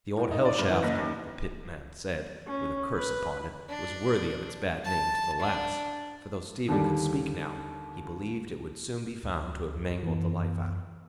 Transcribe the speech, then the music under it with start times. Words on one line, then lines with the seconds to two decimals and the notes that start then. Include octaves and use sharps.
The Old Hell Shaft, the pitman said, with a curse upon it, was worthy of its bad name to the last; for though Stephen could speak now, he believed it would soon be found to have mangled the life out of him.
0.17 A2
0.31 D#4
0.45 D5
0.58 G2
0.70 E3
0.83 F#1
0.98 D#2
2.48 C#4
2.94 B4
3.69 D4
4.85 A5
5.40 D4
6.68 D#2 D3 G3
9.23 D2
10.03 F#2 E3 B3